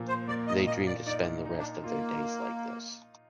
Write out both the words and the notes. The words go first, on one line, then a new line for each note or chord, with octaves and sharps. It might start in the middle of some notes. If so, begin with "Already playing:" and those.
They dream to spend the rest of their days like this.
Already playing: A#2 F3
C5
A#3 D5
D#5
A#2 D#5
D5
D#4 D5
D#4
D4
A#3 F4